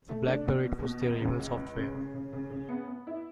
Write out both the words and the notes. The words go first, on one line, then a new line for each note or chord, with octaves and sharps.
For Blackberry it was their email software.
A3
D4
B2
B2
B2
C#2
C#3
C#2
C#2
C#3
C#3
C#3
C#3
C#3
B3
B3
E4